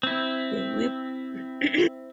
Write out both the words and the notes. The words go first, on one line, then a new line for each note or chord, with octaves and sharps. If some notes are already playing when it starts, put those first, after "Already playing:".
The weapons are also used to make Ultimate Fatality with slashing.
C4 E4